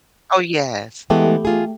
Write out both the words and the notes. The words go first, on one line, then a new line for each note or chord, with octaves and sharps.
Oh, yes.
E3 G#3 A3 B3 G4
F4 G#4